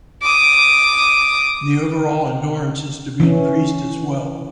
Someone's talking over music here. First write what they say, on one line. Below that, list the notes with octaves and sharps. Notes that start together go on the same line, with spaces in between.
The overall endurance is to be increased as well.
D6 D#6
E3 C#4